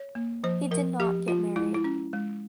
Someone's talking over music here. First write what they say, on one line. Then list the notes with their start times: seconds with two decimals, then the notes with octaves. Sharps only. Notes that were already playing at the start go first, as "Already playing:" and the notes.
He did not get married.
Already playing: C#5
0.15 A#3
0.44 F3 C5
0.71 F3 A#4
1.00 F3 G4
1.28 F3 F4
1.56 G#3 E4
1.74 E4
1.84 C#4
2.13 G#3